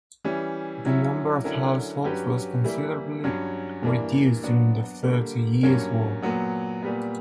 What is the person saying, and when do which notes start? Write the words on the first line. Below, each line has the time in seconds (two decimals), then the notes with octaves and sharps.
The number of households was considerably reduced during the Thirty Years' War.
0.25 E3 G3 C#4
0.85 F#3 C#4 E4
1.44 D3 F#3 C#4 E4 A#4
2.04 G2 F#3 C#4 G4 B4
2.64 E3 G3 A#3 E4
3.24 G2 F#3 C#4
3.83 G2 E3 A#3 D4
4.43 F#3 B3 D4 F#4
5.03 D3 G3 A#3
5.63 G2 F#3 A#3 C#4
6.22 A#2 F#3 B3
6.82 A#2 G3 B3